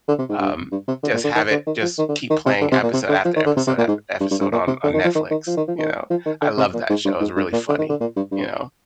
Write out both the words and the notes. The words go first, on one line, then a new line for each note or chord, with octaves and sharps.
Um, just have it just keep playing episode after episode after episode on on Netflix, you know. I love that show. It's really funny, you know.
D3
C3
G#2
G2
G2
C3
D3
A#2
D3
D#3
D3
D#3
F3
D#3
D3
D#3
C3
D3
C3
A#2
C3
D3
F3
D#3
D3
C3
C3
A#2
G#2
G2
G2
G2
A#2
C3
D3
D#3
F3
D#3
D#3
F3
D#3
F3
D#3
F3
D#3
D3
C3
A#2
G#2
G2
G#2
G2
A#2
D3
D#3
D3
A#2
G2
G2